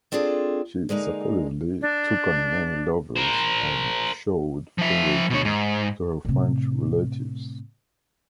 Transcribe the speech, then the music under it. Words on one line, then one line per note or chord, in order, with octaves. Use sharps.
She supposedly took on many lovers and showed favouritism to her French relatives.
C4 D4 F4 G#4 A4
D3 G#3 A#3 D#4
D4
A#4 C5
F3 E5
B2 C#5
G#2
A2 C3